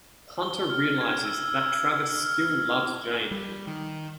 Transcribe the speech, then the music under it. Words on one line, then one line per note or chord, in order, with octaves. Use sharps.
Hunter realizes that Travis still loves Jane.
G7
F6
G#6
E6
E6
F6
F6
G3
D#3